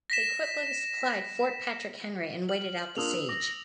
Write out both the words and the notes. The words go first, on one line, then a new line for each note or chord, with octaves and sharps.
They quickly supplied Fort Patrick Henry and waited out the siege.
A#6 B6 E7
F6 F#7
A#3 D4 F4 D#6 E6 F7
B4
D6 A#6